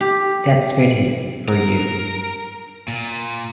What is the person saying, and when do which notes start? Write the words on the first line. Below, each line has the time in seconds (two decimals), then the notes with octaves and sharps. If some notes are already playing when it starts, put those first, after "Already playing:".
That's Betty for you.
0.01 G4
1.49 A#4
2.88 A#2